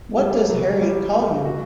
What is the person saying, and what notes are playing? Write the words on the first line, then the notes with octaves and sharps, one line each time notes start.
What does Harriet call you?
G3
F#3
G3
A3
F#4